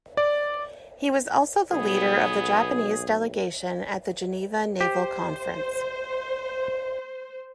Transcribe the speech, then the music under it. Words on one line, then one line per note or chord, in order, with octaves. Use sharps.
He was also the leader of the Japanese delegation at the Geneva Naval Conference.
D5
B1 B3 G#4
G4 C5